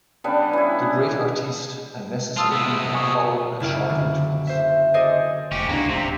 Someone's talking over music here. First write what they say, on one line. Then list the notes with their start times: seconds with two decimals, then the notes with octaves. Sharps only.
"The Great Artiste" and "Necessary Evil" followed at short intervals.
0.24 C#3 G3 B3 D4
0.53 E3 E4
2.37 F4 A5 D#6 E6
2.51 C3 B3
2.94 G#5 C#6 D#6
3.60 F#1 E4 F6 D7
3.90 D3
4.47 C5 E5
4.94 G#4 A4 C5 D5 D#5 G#5
5.51 F1 C#4 G4
5.69 C#2 A#3 C4 D4 F#4
5.89 D1 C3